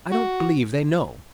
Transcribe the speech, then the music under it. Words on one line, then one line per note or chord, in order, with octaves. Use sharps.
I don't believe they know.
F#4